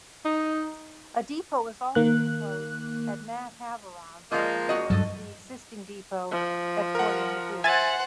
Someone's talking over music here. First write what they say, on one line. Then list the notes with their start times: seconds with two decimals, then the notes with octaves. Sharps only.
A depot is also proposed at Madhavaram similar to the existing depot at Koyambedu.
0.25 D#4
1.95 D#3 A#3 F#6
4.32 F3 G#3 A#3 D#5 F5
4.69 F#4 D#5
4.90 G2 F#3 A4 D#5
6.32 F3
6.95 A#4 F#5
7.64 C5 E5 F#5 G#5 A6